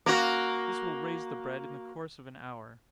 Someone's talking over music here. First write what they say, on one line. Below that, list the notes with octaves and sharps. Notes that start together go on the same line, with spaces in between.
This will raise the bread in the course of an hour.
A#3 F#4